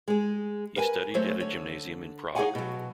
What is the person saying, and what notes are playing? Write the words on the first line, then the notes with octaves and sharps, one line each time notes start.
He studied at a gymnasium in Prague.
G#3 G#4
A#4 B4 G5 G#5
F#3 A3 C5 C#5
D3 C#5
D#4 G#4 C#5 F5 F#5 G#5
B2 F#3